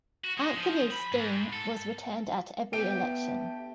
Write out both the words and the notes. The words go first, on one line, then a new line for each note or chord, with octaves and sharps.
Anthony Steen was returned at every election.
F#4
G#3
F3
B5
G#2
A4
A3 B3 D4 G4 E5 D7